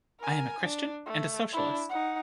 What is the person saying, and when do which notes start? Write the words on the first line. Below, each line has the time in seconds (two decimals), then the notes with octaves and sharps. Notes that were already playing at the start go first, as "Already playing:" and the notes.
I am a Christian and a Socialist.
0.20 A#4 G#5
0.60 D4
1.06 A3
1.52 D4 E4
1.89 D#4 F#5